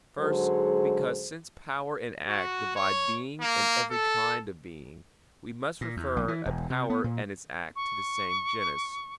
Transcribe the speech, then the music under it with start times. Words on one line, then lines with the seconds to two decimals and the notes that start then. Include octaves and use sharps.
First, because, since power and act divide being and every kind of being, we must refer a power and its act to the same genus.
0.19 G#2 D3 F#3 G#3 G#4 C5
2.27 F#4
2.76 C#5
3.41 A#3
3.91 A4
5.81 A#2
5.97 E2
6.16 B1
6.28 E3
6.46 E1
6.70 C3
6.90 B3
7.04 A#2
7.76 C#6